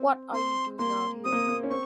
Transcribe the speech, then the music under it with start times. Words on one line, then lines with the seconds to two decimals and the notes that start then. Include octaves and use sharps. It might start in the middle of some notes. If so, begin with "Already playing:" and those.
What are you doing out here.
Already playing: C4
0.33 C4 C6
0.78 A#3 C6
1.24 C4 D#6
1.32 A#3
1.49 A#3
1.63 C#4
1.70 C4 C#6